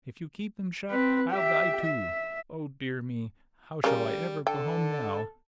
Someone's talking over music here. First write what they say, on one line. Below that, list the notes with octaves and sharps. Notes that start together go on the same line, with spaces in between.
If you keep them shut, I'll die, too. Oh, dear me, how shall I ever go home now?
C4 B4
G4 E5
E5
C#3 G3 A#4
D3 A4 G5